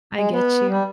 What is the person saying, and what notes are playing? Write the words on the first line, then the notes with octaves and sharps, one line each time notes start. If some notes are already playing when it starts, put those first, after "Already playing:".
I get you.
G#3
B3
G3